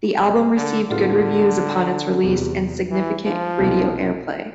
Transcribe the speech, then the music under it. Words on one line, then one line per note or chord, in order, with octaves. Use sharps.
The album received good reviews upon its release and significant radio airplay.
C3
D3
A2 D3 G3 B3 F4 A4
E2 C3 G3
E3
F3
C2 B2 A3 E4 G4